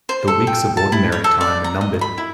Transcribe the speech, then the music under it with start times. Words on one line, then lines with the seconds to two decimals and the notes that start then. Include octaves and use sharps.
The weeks of Ordinary Time are numbered.
0.09 C5
0.28 A4
0.47 G5
0.77 A5
0.92 E4
1.12 C#5
1.24 A4
1.41 D5
1.64 A#5
1.81 D#5
2.01 B5
2.18 E4